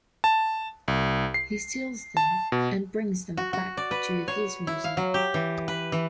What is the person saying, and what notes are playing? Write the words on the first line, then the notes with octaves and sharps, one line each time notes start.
He steals them and brings them back to his museum.
A5
C2
C7
A5
B2
F#4
F#4
D5
B4
C#5
E4
F5
F#3
G4
E3
B4
E3